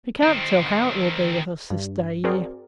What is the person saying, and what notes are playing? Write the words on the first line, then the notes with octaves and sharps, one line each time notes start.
We can't tell how it will be with us this day year.'
D#3 C4
G2
C4 F#4 G#4 A#4 D5